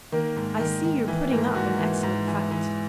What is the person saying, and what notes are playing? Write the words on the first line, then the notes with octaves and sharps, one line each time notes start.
"I see you're putting up an excellent fight."
D#3 A#3
G#2
D#3
D#3
E3
G#2 A#3
G#2 F#4
E3
G#2
E3
E3